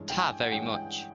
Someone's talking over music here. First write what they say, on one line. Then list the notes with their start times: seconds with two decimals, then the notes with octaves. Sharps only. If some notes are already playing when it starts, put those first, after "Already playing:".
Ta very much.
Already playing: G2 E3 G#3 C#4
0.10 G5
0.16 G#5
0.40 F#5
0.52 G2 E3 G#3 C#4 G5
0.76 G5